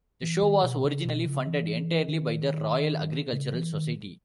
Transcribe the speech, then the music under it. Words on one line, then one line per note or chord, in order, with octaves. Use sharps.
The show was originally funded entirely by the Royal Agricultural Society.
E3
D#3
B2
C#3
B2
C#3
E3
D#3
C#3
E3
D#3